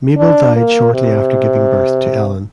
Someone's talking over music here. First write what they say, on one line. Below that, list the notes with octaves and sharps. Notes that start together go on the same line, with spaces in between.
Mabel died shortly after giving birth to Ellen.
D4
A#3
C3